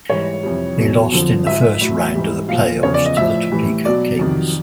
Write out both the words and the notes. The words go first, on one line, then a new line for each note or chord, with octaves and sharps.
They lost in the first round of the playoffs to the Topeka Kings.
G#2 E3 G3 C#5
F2 C3 E3 G3
E2 B2 F#3
F2 D3 F3
G#2 F3 E5
A2 F#3
G#2 E3 G3
A#2 F3 F5
E2 C#3 F3 C#5
D5
D#5
A2 F3 E5
A2 E3 G3
B2 F#3 D5
F2 C3 D#3 F#3